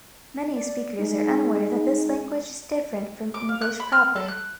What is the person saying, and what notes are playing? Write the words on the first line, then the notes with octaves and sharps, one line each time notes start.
Many speakers are unaware that this language is different from English proper.
D5
G#3 D#4
D6
F5
F#6
B5
F6
A4
F#6